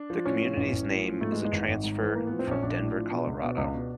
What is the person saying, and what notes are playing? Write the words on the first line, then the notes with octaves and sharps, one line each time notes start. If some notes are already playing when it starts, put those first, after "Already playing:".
The community's name is a transfer from Denver, Colorado.
Already playing: D4
F3
A2 C#4
F3
A1
A1
A2
F3
G#2 A3
G#3
E3
G#3
G#1
G#1
G#2
E3
A2 A#3
F3 B3
C4
A#1 C#4
A#1 D4
A2
F3
B2
C#2
B2
C#2
B2